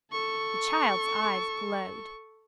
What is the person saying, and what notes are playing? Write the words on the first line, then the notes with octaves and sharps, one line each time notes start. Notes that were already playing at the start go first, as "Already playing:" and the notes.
The child's eyes glowed.
A4 C#6